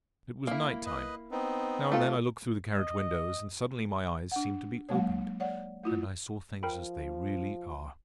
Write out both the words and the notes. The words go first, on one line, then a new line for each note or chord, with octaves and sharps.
It was night-time. Now and then I looked through the carriage windows, and suddenly my eyes seemed to be opened, and I saw things as they really are.
A#3 E4
B4 D#5
B3 C4 D#4
A3 F4 A4
D#5
D4 F#5
F#3 G#3 A#3 C#5
C#5 D5 F#5
A3 E4 F4
F3 A#4 G5 B5